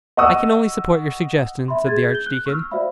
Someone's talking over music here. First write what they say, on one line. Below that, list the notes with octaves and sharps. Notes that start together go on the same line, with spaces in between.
"I can only support your suggestion," said the Archdeacon.
D#5 F#5 C#6 D#6 E6
E5 B5 C6
G#4 G#6 A6
G6 G7
F#6
C#6 E6 F6
F#4 C5 D5 E5 F5 B5